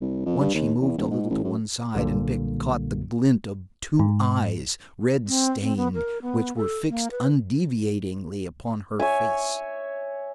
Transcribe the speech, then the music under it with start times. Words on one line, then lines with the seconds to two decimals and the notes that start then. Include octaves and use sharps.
Once she moved a little to one side and Vic caught the glint of two eyes, red-stained, which were fixed undeviatingly upon her face.
0.01 C2
0.26 F2
0.40 G2
0.54 D#2
0.81 E2
0.98 E1
1.11 G#2
1.30 A1
1.44 F#2
1.95 B1 A#2 D3 G3 A#3
3.99 G#2
5.28 C4
5.61 C4
5.77 B3
5.94 A#4
6.22 B3
6.57 A4
6.89 A#3
7.11 B4
8.99 C#5 E5 G#5